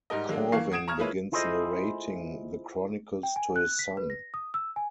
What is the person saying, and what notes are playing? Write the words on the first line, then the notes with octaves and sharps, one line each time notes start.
Corwin begins narrating the Chronicles to his son.
G#2 G3 A#4 D#5
F#3 G#3 A#3 D4
E3 A#3 F5 C#6 C7
F#5 D#6 G#6 D7 E7
A#5 C#6 F6 G#6
G#3 A#3 E4 F4 B4 C#5
E4 F4 G#4 A4 C5 D#5
G5
G#5
F#6
B6
B4
A#6
D#6
E6
G#5